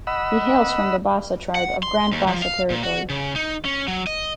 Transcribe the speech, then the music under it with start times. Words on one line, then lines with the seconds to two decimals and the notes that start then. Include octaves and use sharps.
He hails from the Bassa Tribe of Grand Bassa territory.
0.07 D#5 F#5 B5 E6
1.55 F#5
1.83 C6
2.12 D#2
2.27 F3
2.42 F5
2.70 A#2
2.83 F#4
3.10 C#3
3.36 D#4
3.65 C#4
3.88 F#3
4.07 D#5